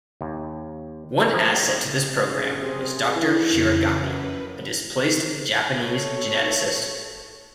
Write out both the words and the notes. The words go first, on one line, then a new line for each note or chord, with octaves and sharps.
One asset to this program was Doctor Shiragami, a displaced Japanese geneticist.
D#2
F3 A#3 C4
F#2 G#4
C3
E3
F2 C#3
F#2 B4
A4 C#5